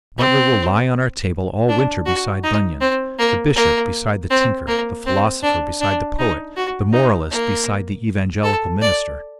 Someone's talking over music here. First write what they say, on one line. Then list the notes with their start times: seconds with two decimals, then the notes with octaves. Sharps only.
Butler will lie on our table all winter beside Bunyan; the bishop beside the tinker, the philosopher beside the poet, the moralist beside the evangelical minister.
0.18 C4
1.68 D4
2.06 F#4
2.43 D#4
2.81 C4
3.19 A#3
3.56 A#3
4.30 C4
4.68 A#3
5.06 C4
5.43 D4
5.81 D4
6.19 D#4
6.56 F#4
6.93 D#4
7.30 A#3
8.43 A4
8.81 D5